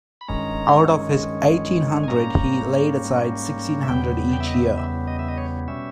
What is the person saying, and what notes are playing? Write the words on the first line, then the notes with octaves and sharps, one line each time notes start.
Out of his eighteen hundred, he laid aside sixteen hundred each year.
B5
G2 D#3 G#3 C#4 A#5
G#5
G#2 G3 A#3 C#4 A#5
E5
E2 C#3 G3 B3 G5
G5
E5
D#5
E5
E5
D#5
E5
D#5
C#5
B2 G3 C#4 E5